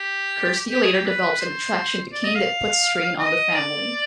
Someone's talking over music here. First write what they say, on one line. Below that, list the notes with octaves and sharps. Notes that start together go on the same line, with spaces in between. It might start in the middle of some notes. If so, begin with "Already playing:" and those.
Kirsty later develops an attraction to Kane that puts strain on the family.
Already playing: G4
G4
G#4
G4
B4
C5
D5
D#5
F5
D#5
D5